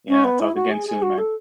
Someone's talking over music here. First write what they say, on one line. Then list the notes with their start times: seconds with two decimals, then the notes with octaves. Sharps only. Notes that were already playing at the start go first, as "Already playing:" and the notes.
Yeah, talk again soon, man.
0.08 C#4
0.24 B3
0.40 E4
0.55 F#4
0.71 G#4
0.87 G#4
1.02 F#4
1.18 A4